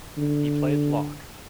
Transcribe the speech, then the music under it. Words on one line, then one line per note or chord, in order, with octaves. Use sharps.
He played lock.
D3